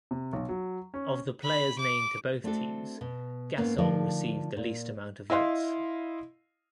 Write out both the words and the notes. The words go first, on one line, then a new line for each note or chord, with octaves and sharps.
Of the players named to both teams, Gasol received the least amount of votes.
C3
B1
F#3
C#4
B5
D6
A3 C4 D4 F#4 A4
B2
G#2 A#3 B3 C#4
D3 F3 A3 D#4 F4 A#4
A#2
E4 D#5 F5 C6